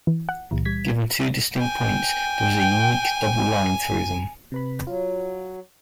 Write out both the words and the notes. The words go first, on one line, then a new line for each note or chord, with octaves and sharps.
Given two distinct points, there is a unique double line through them.
E3
F#5
C#2 A#2 E3
G3 G#6 B6
G5 G#5
C3 B4 B5
F#3 F4